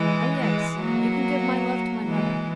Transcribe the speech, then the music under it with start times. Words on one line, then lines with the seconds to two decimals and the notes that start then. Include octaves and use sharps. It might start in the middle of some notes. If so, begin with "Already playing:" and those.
Oh yes;--you can give my love to my mother.
Already playing: E3 G#3
0.39 E3 G#3
0.81 F#3 A#3
2.05 E3 G#3